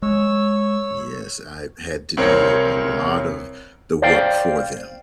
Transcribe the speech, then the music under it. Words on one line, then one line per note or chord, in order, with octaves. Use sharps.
Yes, I've had to do a lot of the work for them,
G#3 C#5 E6
C2 C4 A#4 C#5
C5 D5 F5 G5